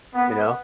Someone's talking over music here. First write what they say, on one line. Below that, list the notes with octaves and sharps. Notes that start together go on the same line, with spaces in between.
you know?
B3